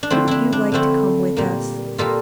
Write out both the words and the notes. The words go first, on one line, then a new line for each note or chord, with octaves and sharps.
Wouldn't you like to come with us?'
D4
D3 F3 A3 C4 E4
D4 E4
D4
D3 F3 A3 C4 E4
A#2 G3 A#3
A#2 G3 A#3 F4 A4